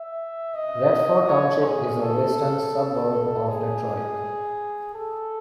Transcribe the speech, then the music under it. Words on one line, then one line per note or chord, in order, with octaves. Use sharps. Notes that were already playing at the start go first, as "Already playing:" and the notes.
Redford Township is a western suburb of Detroit.
Already playing: E5
D#5
C#5
G#4
A4
G#4
A4